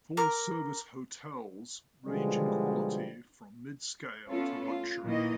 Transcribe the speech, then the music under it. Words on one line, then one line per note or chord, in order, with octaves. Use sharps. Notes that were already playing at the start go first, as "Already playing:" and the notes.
Full-service hotels range in quality from mid-scale to luxury.
A#4 D6
B2 D3 F3 G3 G#3
A3 B3 C#4 F4 A4
F4
A#2 D#3 E3 A#3 D#5